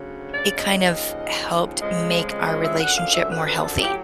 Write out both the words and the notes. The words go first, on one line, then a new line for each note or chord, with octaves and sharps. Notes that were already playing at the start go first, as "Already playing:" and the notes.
it kind of helped make our relationship more healthy.
Already playing: D2 C#3 F#3
D5
D#5
D#2 C#3 F3
F2 C#3 F3 G#3 D#5
D#5
D#5
E5
F#2 D3 F3 F#5
F5
E5
B4
B4
A4
A2 F#3 G4